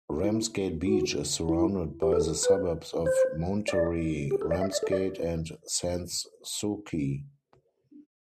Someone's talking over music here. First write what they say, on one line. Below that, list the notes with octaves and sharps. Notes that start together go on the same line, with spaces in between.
Ramsgate Beach is surrounded by the suburbs of Monterey, Ramsgate and Sans Souci.
E4
F#4
E4
G4
A4
B4
C5
D5
G4
A4
D5
E5
D5
A4
D5